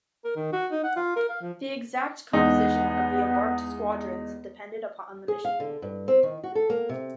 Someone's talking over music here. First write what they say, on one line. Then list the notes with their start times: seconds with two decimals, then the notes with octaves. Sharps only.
The exact composition of the embarked squadrons depended upon the mission.
0.24 A#4
0.36 D#3
0.53 F#4
0.71 D#4
0.84 F#5
0.96 F4
1.16 A#4
1.29 F5
1.41 F3
2.33 E2 G#3 B3 D#4
5.28 G#4
5.45 F5
5.60 D3
5.82 G2
6.08 C4
6.23 D#3
6.44 F#4
6.55 A4
6.70 A#3
6.89 C3